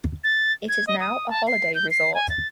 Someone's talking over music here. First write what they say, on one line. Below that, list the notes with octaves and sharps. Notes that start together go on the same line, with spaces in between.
It is now a holiday resort.
A6
G#6
D#5
D#6
A5
C7
G6
C7
G#5
A6